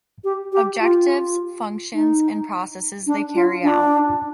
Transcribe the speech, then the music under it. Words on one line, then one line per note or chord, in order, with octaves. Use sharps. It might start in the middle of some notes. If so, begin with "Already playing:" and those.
Objectives, functions and processes they carry out.
G4
G4
F4
D#4
D4
F4
D4